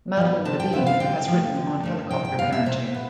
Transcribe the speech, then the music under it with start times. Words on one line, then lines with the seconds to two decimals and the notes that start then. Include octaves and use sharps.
Madeline Levine has written on helicopter parenting.
0.17 F3 B3
0.45 C3 A5
0.60 G5
0.72 F3 B3 E5
0.86 F5
1.00 D3 G5
1.28 F3 A3
1.56 D3
1.83 F3 A3
2.11 C3 G5
2.25 G5
2.38 E3 G3 B3 F5
2.52 E5
2.66 C3 E5
2.94 B3